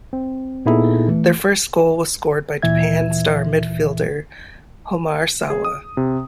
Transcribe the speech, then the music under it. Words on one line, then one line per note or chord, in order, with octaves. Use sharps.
Their first goal was scored by Japan star midfielder Homare Sawa.
C4
A#2 B3 D#4 E4 G#4 A4
E3 A3
D2 A#2 E3 E5 G#6
G#4
D#6
C3